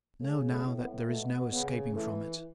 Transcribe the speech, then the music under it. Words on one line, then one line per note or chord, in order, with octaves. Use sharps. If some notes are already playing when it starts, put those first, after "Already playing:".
I know now that there is no escaping from it.
C#3 A3
A3
A2
B3
B2 A3
C#3 B3
E3 A3